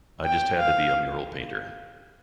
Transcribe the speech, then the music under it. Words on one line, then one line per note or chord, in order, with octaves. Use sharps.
I just had to be a mural painter.
G5
F5